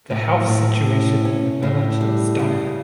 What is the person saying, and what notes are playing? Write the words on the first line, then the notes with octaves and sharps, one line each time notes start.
The health situation in the village is dire.
A2
A2
C#4
C#4
A2
G3
C#3